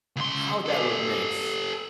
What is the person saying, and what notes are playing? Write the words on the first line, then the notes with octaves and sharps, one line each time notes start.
how that would mix.
C#2 C6
G4 A4